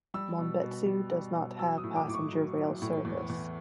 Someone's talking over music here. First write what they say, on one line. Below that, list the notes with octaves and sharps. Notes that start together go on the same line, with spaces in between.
Monbetsu does not have passenger rail service.
G3 E6
B2
B2
G3
G3
B2
F#3 E6
D#6
A2
D6
A2 D6
C#6
F#3
F#3
A2
E2
E2